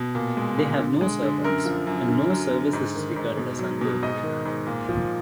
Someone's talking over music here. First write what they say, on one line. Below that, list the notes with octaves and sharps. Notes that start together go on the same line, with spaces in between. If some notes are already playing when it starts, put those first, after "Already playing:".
They have no servants, and no service is regarded as unworthy.
Already playing: B2
A#2
G#3
A#2
D3
G#3
D3
F#2 A#4
F3
F#2
D3
F#3
D3
G#2
D#3
G#2
B2
F#3
B2
G#2 D#5
D#3
G#2
A#2
F3